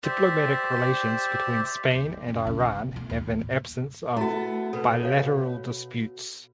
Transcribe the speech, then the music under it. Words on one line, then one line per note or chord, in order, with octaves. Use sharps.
Diplomatic relations between Spain and Iran have an absence of bilateral disputes.
G4 C5 D5 E5
D#2
F4
F#1
C#3
D3
B2
A3
D#2
E3
A2
A3 B3 E4 F#4
B2 A4 B4
C#5 F5